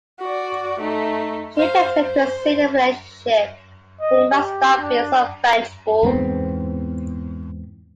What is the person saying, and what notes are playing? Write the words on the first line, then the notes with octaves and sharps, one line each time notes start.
She begs him, to seal their relationship, that he must stop being so vengeful.
F#4 D5
A3 D#4
C5 F5
C5
D#5
G4
D4
E2 G#2 B3 C4